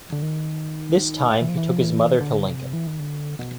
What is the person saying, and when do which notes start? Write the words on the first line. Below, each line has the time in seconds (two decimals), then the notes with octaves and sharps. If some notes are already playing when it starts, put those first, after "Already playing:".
This time he took his mother to Lincoln.
0.12 D3
0.22 D#3
1.41 E3
1.49 F3
1.57 E3
1.69 F3
1.80 E3
2.20 D3
2.47 C3
2.73 E3
2.87 D#3
2.99 D3
3.39 B2